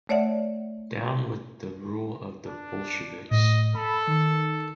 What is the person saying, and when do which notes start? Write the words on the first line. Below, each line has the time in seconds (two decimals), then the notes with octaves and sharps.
Down with the rule of the Bolsheviks!
0.09 A3 C#5 D5 E5 F#5
2.46 D4
3.31 A2 D#5
3.75 A4 B5
4.07 D#3